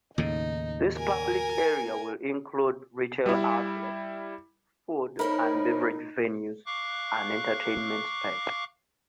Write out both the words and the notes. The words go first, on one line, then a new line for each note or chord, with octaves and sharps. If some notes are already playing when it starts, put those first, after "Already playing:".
This public area will include retail outlets, food and beverage venues, and entertainment space.
D#2 A2 C#3 D#4
A#4 G#5
G3 E4
D#4 E4 A#4 C5 C#5 B5
F5 C#6 D6 F#6